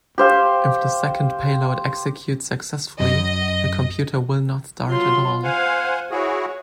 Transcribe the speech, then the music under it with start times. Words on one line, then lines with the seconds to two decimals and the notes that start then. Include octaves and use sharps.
If the second payload executes successfully, the computer will not start at all.
0.18 G4 C5 F5
3.00 F#2 D#5
4.89 F#3 F4 C6
5.43 C5 F5 F#5 G#5
6.11 E4 F#4 G#4 C#5